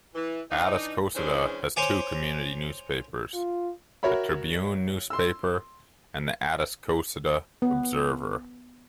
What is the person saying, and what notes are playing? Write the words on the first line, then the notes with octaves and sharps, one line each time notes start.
Atascocita has two community newspapers, "The Tribune Newspaper" and "The Atascocita Observer".
E3
E3 D4 D#4
E3 G#3 C#4 D4 C5
C5 C#5 G#5 D6
F4
F#4 A#4 C#5 E5 B5
C6 E6
B3